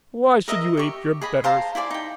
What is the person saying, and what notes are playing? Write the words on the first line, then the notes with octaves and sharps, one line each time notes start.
Why should you ape your betters?
A#4 D#5 E5 A#5
G4 C#6
G#4 D#5 B5
C5 F5 A5 A#5
E4 C5 D5 G#5
D#4 G5